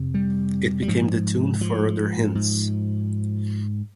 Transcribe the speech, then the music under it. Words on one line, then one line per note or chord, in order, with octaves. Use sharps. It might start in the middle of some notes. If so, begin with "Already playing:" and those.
It became the tune for other hymns.
Already playing: F2 C3
G3
G3
G#2 F3
F3
G#2